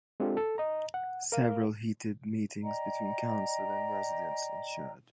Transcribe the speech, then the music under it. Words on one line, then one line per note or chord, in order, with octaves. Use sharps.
Several heated meetings between Council and residents ensured.
G#3 C4 D4 F4 G4 A4
A4
D#5 A#5
F#5
A#4 F5
D5 D#5 G5 A#5